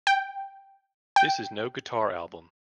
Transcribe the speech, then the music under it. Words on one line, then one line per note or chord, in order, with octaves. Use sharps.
This is no guitar album.
G5
G5